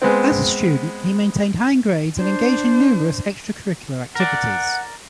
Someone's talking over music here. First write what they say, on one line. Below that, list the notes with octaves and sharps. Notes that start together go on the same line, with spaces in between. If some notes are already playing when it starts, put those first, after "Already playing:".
As a student, he maintained high grades and engaged in numerous extracurricular activities.
G#3 B3 C4
D4 C5
A#4 D5 F#5